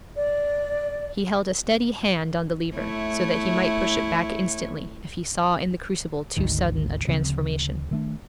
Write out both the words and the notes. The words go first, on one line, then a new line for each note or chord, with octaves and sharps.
He held a steady hand on the lever, so that he might push it back instantly if he saw in the crucible too sudden a transformation.
D5
A3 E4 C#5
G#1 D2 G#2 D#3
D2 C#3 F3 C4
D#3 A3 D4